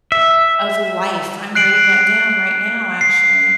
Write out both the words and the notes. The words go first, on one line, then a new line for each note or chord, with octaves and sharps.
of Life. I'm writing that down right now, actually.
E5
F#6 C7 D7 F#7
C7